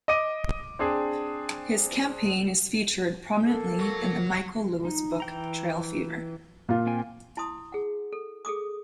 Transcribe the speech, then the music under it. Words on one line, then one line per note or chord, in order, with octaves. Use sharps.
His campaign is featured prominently in the Michael Lewis book "Trail Fever".
D#5 D6 D#7
C4 D4 G#4
A#3 A4
F#3
D#4
E3 G5 A#5
A#2 F4
C4 G5 G#5
E4 A5 C6 D#6
G#4 F#5
A4
G#4 A4 D6 D#6